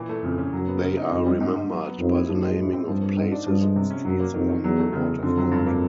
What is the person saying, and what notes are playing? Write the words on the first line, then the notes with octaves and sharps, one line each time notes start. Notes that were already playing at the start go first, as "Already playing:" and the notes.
They are remembered by the naming of places and streets along the waterfront.
Already playing: A#2 E3
A3
F2 C#3
C#4
F#2 F#3
B3
C#3
D#4
F2 D#3
G3
G#2
G#2
F#3
B3
F2 D#3
E4
F#2 F3
G#3
A2
C4
G2 F3
A#3
G#2
D4
G2 F3
G#3
C3
C#4
F#2 F#3
A#3
F2 D#3
D#3
E2 F#3
A3
E2 C#3
C#3
F2 D3
F#3
G2
A#3